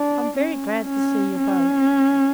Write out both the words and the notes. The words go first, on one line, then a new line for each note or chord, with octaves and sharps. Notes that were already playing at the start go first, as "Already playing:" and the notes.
I'm very glad to see you both.'
Already playing: D4
C#4
C#4
C#4